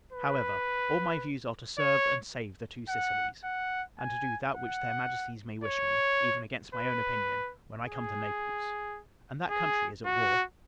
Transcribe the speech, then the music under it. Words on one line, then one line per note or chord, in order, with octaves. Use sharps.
However, all my views are to serve and save the Two Sicilies; and to do that which their Majesties may wish me, even against my own opinion, when I come to Naples, and that country is at war.
B4
C#5
F#5
F#5
G#5
F#5
C#5
B4
G#4
G#4
F#4